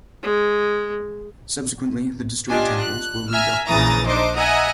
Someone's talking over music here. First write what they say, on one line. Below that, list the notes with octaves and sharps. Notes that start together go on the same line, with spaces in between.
Subsequently, the destroyed temples were rebuilt.
G#3
D4 F4 G4 D#5 G#5
F#6
E5 G#5 A#5 E6 F6
A#1 C#3 E3 A#5 D#6 A6
D4 D#4 C5 D#5 D6
D#5 E5 F#5 G#5 A#5 D#6